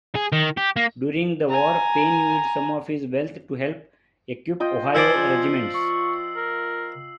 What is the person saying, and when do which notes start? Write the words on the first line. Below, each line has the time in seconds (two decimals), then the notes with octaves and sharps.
During the war, Payne used some of his wealth to help equip Ohio regiments.
0.15 G#4
0.32 D#3
0.57 G4
0.76 A#3
1.48 G#5 A#5
4.60 F4 D#5 G5
4.95 F3 C5 D5 G#5 E6 C7 F#7
5.74 C#6
6.36 A#4